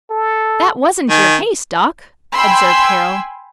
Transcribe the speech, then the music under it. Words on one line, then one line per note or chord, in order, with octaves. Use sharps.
"That wasn't your case, Doc," observed Carroll.
A4
D#3 G#5
G5 G#5 B5 C6 E6